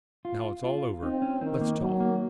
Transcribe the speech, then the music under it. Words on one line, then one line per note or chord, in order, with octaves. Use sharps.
"Now it's all over, let's talk."
F4
F4
C4 D#4
C#4
D#3 C4
A#3
F#3
A#3